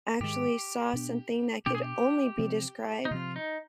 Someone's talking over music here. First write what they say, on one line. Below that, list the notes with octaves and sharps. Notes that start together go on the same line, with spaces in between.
actually saw something that could only be described
G#2 D#3 G#3 G4
B2 B3 D4
B2 B3 D4 G4
G#4
G4
C3 F3 C4
D#4
C3 F3 C4 F4
D#4